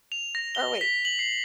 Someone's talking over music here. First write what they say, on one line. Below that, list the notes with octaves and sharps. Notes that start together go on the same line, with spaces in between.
Or, wait,
F7
A#6
G7
B6
F#7
C7